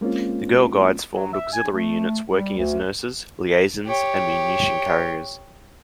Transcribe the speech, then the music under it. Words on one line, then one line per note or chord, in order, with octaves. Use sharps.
The Girl Guides formed auxiliary units working as nurses, liaisons and munition carriers.
G#3 A#3 C4 C#4 F4
F#3
E5
G#5
A3
G3
D2
G4 C#5